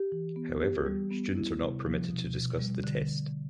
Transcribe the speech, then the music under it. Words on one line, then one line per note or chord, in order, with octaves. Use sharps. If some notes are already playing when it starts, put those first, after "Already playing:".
However, students are not permitted to discuss the test.
Already playing: G4
E3
B3
G4
G3
B3
E4
C3
F3
B2
B2
G3
D3